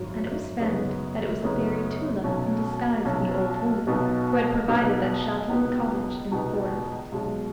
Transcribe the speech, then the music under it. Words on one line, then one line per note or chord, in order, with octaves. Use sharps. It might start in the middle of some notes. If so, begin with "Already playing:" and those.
Then it was found that it was the Fairy Tulip in disguise of the old woman who had provided that sheltering cottage in the forest.
Already playing: G#1 F#2 F#3
F#2 C#3 B3 D#4
F#2 C#3 B3 D#4
B1 B2 F#3 C#4
B1 B2 F#3 C#4
B1 B2 B3 D#4
B1 B2 B3 D#4
C#2 B2 B3 D#4
C#2 B2 B3 D#4
B1 B2 G#3